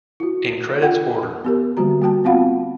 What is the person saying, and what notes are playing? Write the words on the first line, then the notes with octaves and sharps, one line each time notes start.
In credits order.
E4 F#4
F4 F#5 G5
B3 G4 A#4
D3 G3 A#3 F#4 A#5
A#3 F#4 G5 A5
B3 C4 F4 F5 F#5 B5